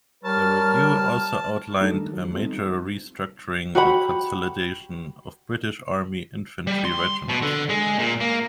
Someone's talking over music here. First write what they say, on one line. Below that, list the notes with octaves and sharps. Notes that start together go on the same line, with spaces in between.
The review also outlined a major restructuring and consolidation of British Army Infantry regiments.
G3 A#4 C#5 A5 F6
G3 A3 D4 D#4 A4
D#3
F#3
G3 A3 B3 C4 F4
D#4
F#4 G4 F#5 B5
G3
C6
B2
D3
G#3
A#2
A#3